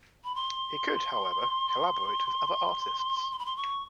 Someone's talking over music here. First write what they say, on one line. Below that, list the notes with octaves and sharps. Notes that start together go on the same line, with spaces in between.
He could, however, collaborate with other artists.
B5
C6
C6
B5
C6
C#6